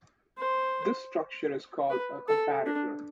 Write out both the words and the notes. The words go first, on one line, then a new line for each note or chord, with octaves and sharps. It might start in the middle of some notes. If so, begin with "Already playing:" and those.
This structure is called a "comparator".
C5
B4
A4
D4